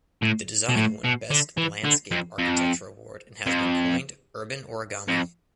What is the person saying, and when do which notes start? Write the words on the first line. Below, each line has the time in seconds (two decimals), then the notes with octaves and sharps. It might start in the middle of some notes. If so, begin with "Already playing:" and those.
The design won Best Landscape Architecture Award and has been coined "urban origami".
0.23 A2
0.69 B2
0.77 A2
1.04 B2
1.31 D3
1.58 E3
1.85 D3
2.11 F2
2.38 F2
3.47 F2
5.08 F2